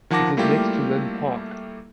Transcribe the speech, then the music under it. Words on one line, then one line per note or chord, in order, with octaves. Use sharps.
It is next to Linn Park.
D#3 F3 F#5 A5 D6 A#6
G3 A3 A#3 E4 F4 G4